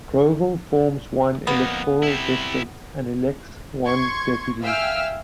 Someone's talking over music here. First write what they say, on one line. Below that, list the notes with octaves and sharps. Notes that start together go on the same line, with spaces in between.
Grouville forms one electoral district and elects one Deputy.
F2 A#3 B3
C3 E4
C6 C#6 G#6
E5 F5 G5 G#5 E6 F6